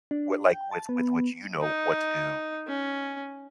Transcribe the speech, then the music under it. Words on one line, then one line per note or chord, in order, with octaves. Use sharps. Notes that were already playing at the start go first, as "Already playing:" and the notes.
what, like, with with which you know what to do
D4
G5
A5
B3
D#4
C#4